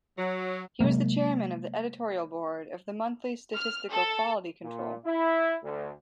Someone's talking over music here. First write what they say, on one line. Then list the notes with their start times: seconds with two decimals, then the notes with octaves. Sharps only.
He was the chairman of the editorial board of the monthly Statistical Quality Control.
0.18 F#3
0.80 C3 F#3 G#3 A#3
3.56 F6
3.91 A4
4.62 A#2
5.06 E4
5.63 D2